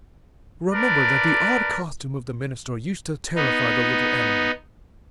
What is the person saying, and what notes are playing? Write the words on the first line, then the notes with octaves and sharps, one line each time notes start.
Remember that the odd costume of the minister used to terrify the little animal.
D4 A#4 B4 D5
B3 D#4